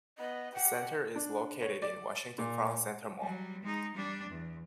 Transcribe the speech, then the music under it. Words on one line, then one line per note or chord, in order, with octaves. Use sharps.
The center is located in Washington Crown Center mall.
B3 D#5
G4 F#5
D4
C#5
D5
A#2
F#3 G3
G#3 D#4
G3 D4
E2